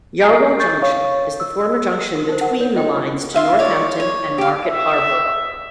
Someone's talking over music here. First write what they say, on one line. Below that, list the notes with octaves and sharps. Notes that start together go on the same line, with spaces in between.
"Yarwell Junction" is the former junction between the lines to Northampton and Market Harborough.
A#5 C7
C#6 G6 A6
C#5 F5 C#6
E6
A#4 C6
D#4 A#4 C5
A#4 F#5
C#5
E4 F4 D#5 G5 C6
F4 E5 F5
C#5 D5
C#5
G4 F5
E5